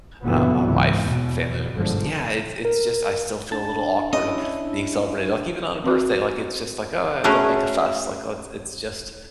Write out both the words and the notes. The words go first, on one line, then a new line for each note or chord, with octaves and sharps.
uh, my wife, family members. Yeah, it's it's just I still feel a little awkward being celebrated, like, even on a birthday, like, it's just, like, oh, don't make a fuss, like, let's, it's just,
F#1 A#2 D3 E3 F#3 B3
C#2 G#2 C3 E3
E2 B2
G1 G#2 D3 F3
A#4
D4 A5
C#4 E4 D#5
C4 F#4
A3 C#4 F#4 G#4 A#4 B4